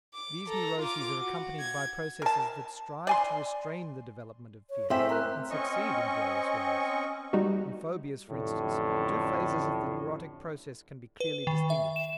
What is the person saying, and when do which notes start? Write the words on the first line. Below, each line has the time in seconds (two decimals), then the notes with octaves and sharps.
These neuroses are accompanied by processes that strive to restrain the development of fear, and succeed in various ways. In phobias, for instance, two phases of the neurotic process can be clearly distinguished.
0.14 D6
0.47 A4 A#5
0.80 F4 D6
1.19 F#4
1.59 G#6
2.22 A#4 A5
3.07 D5 G#5 C6
4.70 C#5
4.90 A2 C4 C5 E5 G5 G#5 C6
5.10 A#4 A#5 F#6
5.50 C4 C#4 D#5 C#6
7.33 G3 D#4 F#4
8.30 A1 F2 A2 D3
11.20 B4
11.47 D#3
11.70 E5
11.96 E7